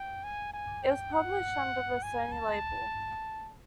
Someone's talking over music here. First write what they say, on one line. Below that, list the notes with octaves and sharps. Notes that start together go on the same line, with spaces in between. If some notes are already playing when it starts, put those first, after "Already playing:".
It was published under the Sony label.
Already playing: G5
G#5
G#5
G5
F#5
G#5
A5